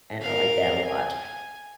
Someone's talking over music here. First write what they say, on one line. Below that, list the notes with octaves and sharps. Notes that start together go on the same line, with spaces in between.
and I like that a lot.
A#4 F5
G#5